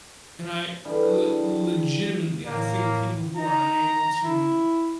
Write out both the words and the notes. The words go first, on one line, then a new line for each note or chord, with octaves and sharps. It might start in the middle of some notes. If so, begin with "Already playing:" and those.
And I le legitimately, I think people who are unable to
D3 E3 G3 G#4
A2 A#3
D#4 A#5
E4